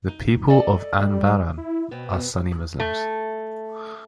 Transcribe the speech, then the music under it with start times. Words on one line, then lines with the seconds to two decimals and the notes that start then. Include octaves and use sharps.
The people of Anbaran are Sunni Muslims.
0.08 D#4
0.49 A4 D5 D#5
0.95 G3
1.58 E4
1.91 B2 B3 C4
2.80 A3